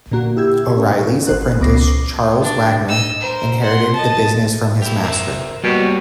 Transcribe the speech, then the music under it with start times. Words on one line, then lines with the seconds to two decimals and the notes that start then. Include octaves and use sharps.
O'Reilly's apprentice Charles Wagner inherited the business from his master.
0.11 A#2 D3 A#3 F#4
0.36 E4 G4 E6 G#6
0.78 C#4
1.27 G#1 C5 F#6
1.60 C#2 B3 D6 A#6 C7
2.41 D4
2.88 D#5 E6
3.19 A#4 C5
3.61 F#5 C6
3.93 D#5 A5
4.82 E4 G4
5.03 A#4 C5 E5
5.64 B2 G3 A#3 F#4 C#5